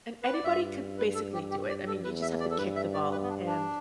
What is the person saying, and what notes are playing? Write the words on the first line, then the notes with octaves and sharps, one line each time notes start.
and anybody could basically do it. I mean, you just have to kick the ball, and,
B4
D5
G2 E5
B4
A4
G4
G4
D5
A4
E2 B4
E5
D5
A4
G2 B4
E5
D5
B4
B3
D4
D4